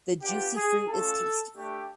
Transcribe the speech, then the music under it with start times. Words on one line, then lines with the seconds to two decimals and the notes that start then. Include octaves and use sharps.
The juicy fruit is tasty.
0.21 B3 D4 F4 G4
0.55 G#4
0.88 A3 C#4 F4 A4
1.56 A3 D4 G4